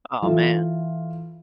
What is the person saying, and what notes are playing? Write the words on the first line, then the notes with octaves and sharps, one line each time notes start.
Oh, man,
E3 F4 A4